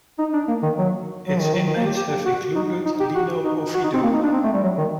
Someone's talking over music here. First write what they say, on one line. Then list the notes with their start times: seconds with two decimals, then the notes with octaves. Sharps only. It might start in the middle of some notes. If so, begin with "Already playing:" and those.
Its inmates have included Lino Oviedo.
0.19 D#4
0.33 D4
0.48 A#3
0.63 D#3
0.78 F#3
1.27 F#3
1.40 D#3
1.54 F#3
1.67 D#3
1.77 A#3
1.86 G4
1.96 G4
2.26 F#4
2.55 D#4
2.85 D#4
3.00 G4
3.15 F#4
3.44 D#4
3.74 F#4
3.83 D#4
3.94 C4
4.03 A#3
4.14 D#4
4.23 D4
4.33 C4
4.44 A3
4.53 G3
4.63 F#3
4.78 D#3